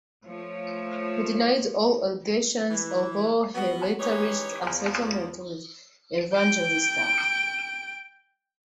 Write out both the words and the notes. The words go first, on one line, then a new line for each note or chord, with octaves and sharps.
He denied all allegations, although he later reached a settlement with Evangelista.
F3 A3 C#5
E3
B3 F#4
E3 C#4 D#4 G4 C#5
E2 F3
G5 D7